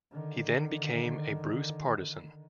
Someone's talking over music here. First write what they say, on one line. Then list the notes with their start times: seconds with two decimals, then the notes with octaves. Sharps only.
He then became a Bruce partisan.
0.11 D3 D#3